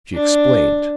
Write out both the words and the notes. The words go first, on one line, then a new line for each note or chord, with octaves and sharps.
She explained.
D4